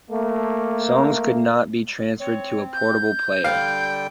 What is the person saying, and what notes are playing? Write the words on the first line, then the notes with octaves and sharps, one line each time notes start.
Songs could not be transferred to a portable player.
A3 A#3
C4 C#5
G6
D3 G3 F5 G5